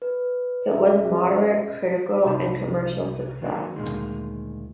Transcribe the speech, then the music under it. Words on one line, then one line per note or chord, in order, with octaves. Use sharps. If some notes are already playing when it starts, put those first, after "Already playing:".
It was a moderate critical and commercial success.
B4
C#4 G#4 E5
C2 D#4 C5 A5 B5
D#3 F#3 A#3 C4 D4
D2 A#2 D#3 G#3